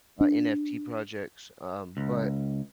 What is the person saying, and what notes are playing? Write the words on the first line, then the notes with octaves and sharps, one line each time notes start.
uh, NFT projects, um, but
D4
C#2